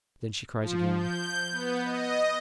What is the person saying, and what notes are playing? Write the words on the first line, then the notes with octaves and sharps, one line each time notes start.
Then she cries again.
F3
G6
B3
D#5